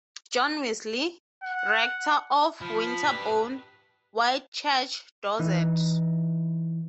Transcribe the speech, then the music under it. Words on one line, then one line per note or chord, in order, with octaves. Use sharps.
John Wesley, rector of Winterborne Whitechurch, Dorset.
F#5
F3 B5
G4 B4
E3 D#4